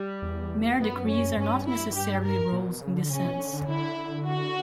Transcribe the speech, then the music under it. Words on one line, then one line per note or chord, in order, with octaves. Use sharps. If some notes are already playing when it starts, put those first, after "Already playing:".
Mere decrees are not necessarily rules in this sense.
Already playing: G3
E2
F#2 B3
C#4
G2 C#4
E4
G4
A#4
A#2
B2
C#3
D3
C#3 C#4
B2
D3
D3
D3 E4
F#4